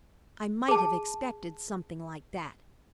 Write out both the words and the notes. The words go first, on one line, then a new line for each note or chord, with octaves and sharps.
I might have expected something like that.
G#4 A5